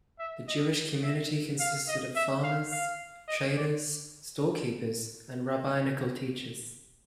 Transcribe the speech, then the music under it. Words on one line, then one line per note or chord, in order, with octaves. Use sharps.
The Jewish community consisted of farmers, traders, storekeepers, and rabbinical teachers.
E5
D#5
E5
F5
D#5
E5
F5
F5
D#5
D5